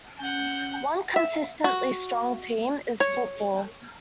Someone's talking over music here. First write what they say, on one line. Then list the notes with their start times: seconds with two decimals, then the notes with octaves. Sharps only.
One consistently strong team is football.
0.20 C#4 F#5 G6
1.16 E5
1.64 F#4
3.00 C#5